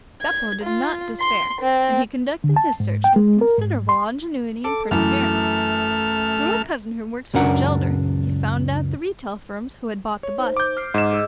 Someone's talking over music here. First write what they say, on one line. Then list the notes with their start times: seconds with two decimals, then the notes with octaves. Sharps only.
Beppo did not despair, and he conducted his search with considerable ingenuity and perseverance. Through a cousin who works with Gelder, he found out the retail firms who had bought the busts.
0.21 G#6
0.63 F4
1.20 C6
1.60 C4
2.44 D3
2.56 A5
2.80 G#2
3.04 G5
3.16 G#3
3.41 A#4
3.58 G#2
3.89 C6
4.64 A4 D6
4.91 F#2 E3 A3 F6
7.34 C#2 F#2 C#4 D4 A#4 F#5
10.23 C#5
10.39 D#4 C5
10.57 D6 G6
10.77 F6 C7
10.94 G#2 D#5 E7
11.13 G#4 E6